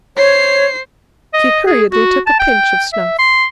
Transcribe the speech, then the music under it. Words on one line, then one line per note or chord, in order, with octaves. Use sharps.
He hurriedly took a pinch of snuff.
C5 C#5 C7
D#5
G#4
F#4
A5
G5
E5
C6